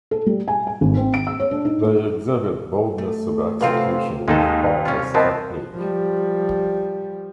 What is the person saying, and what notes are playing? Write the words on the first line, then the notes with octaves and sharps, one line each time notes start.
They exhibit boldness of execution with faultless technique.
A4
G3
G#5
G#5
G#1
C4
D7
E6
C#5
D4
D#4
A2
A3
F#2 C3 A3 C4 F4 B4 F5
D#2 G#3 D#4 A4
C3 F#3 G3 C#4 F4
F3 B3 C4 A#4 D#5 A5
F3 G3